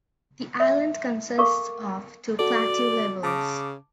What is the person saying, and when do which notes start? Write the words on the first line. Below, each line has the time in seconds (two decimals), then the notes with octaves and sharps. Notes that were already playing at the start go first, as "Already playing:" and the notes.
The island consists of two plateau levels.
0.60 E5
1.38 A4 A#4 F5 C#6 D6
2.39 F#4 A4 D5
3.23 C#3 A5 D6